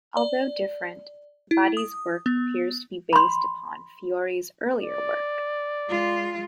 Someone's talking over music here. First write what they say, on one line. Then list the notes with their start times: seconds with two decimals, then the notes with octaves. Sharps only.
Although different, Vadi's work appears to be based upon Fiore's earlier work.
0.17 D5
1.51 E4
1.77 D#6
2.26 B3
3.13 B5 C6
4.81 D5
5.89 G#3 F4